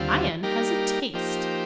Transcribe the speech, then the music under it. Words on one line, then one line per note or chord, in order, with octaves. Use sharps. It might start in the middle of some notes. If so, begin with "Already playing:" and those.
"Iron has a taste."
Already playing: D#2 D3 G3 C4 F4
G3 A#3 D#4 G4 A#4
F3 A#3 D#4 G4 C5